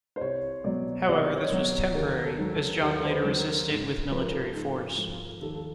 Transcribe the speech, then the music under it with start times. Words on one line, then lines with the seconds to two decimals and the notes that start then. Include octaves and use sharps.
However, this was temporary, as John later resisted with military force.
0.16 C5
0.21 C2 C#5
0.64 B2 F#3 D5
1.08 C2 D5
1.17 D#5
1.25 D5
1.37 C#5
1.52 B2 F#3
1.95 D#2 A#4
2.24 A4
2.38 D#3 F#3
2.52 A4
2.81 D#2 A#4
3.05 C5
3.10 B4
3.25 D#3 F#3
3.39 A#4
3.69 G#2
4.11 F3 B4
4.21 A#4
4.31 A4
4.40 A#4
4.55 G#2 A4
4.98 F3
5.41 D#2 A4
5.55 A4